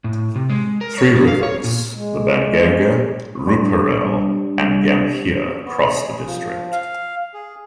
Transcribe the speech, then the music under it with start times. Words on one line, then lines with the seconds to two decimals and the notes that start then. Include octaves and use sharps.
Three rivers, the Ban Ganga, Rooparel, and Gambhir, cross the district.
0.04 A2
0.36 C3
0.50 G#3
0.81 A#4
0.98 C#5
1.15 F#3
1.28 F5
1.43 C#5
1.64 A#2
1.94 G#3
3.47 G3 D4
5.66 B3
5.80 G#4
6.26 F3
6.72 F5
7.34 G#4